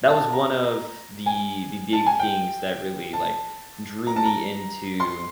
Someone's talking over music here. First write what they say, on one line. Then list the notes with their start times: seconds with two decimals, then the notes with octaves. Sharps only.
that was one of the the big things that really, like, drew me into
0.09 A5
0.33 A#5
1.26 G#5
1.93 A5
2.06 G#5
2.19 G5
3.13 A5
4.07 A#5
4.16 A5
4.25 A#5
5.00 C6